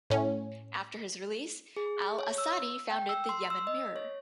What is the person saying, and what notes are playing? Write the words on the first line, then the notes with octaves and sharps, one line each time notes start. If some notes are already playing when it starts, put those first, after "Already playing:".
After his release, Al-Asadi founded the "Yemen Mirror".
A2 C#4
G#4
C#5
E6
G5
E6
C6
E6
D#5
C#5